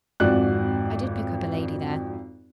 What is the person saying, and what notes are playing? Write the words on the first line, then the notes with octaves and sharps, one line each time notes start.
I did pick up a lady there.
G#1 F2 F#4 D5 F#6